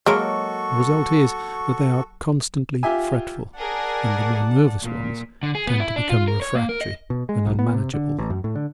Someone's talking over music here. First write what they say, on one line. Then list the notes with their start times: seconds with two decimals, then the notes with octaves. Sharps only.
The result is that they are constantly fretful and the more nervous ones tend to become refractory and unmanageable.
0.06 F#3 G#3 A#3 F#4 A4 A#4 C#6
2.83 F4 G4 E5 G#5
3.57 G#4 A#4 D5 F#5 A5
4.82 A#2
5.43 D3
5.55 G#4
5.67 B3
5.80 E4
5.96 D4
6.09 F4
6.28 A#4
6.42 C#5
6.55 A#3
6.69 A#4
6.81 D#5
7.10 B2
7.29 G#3
7.46 B1
7.59 B3
7.74 C3
7.94 D3
8.19 A1
8.30 F#2
8.44 A2
8.56 D3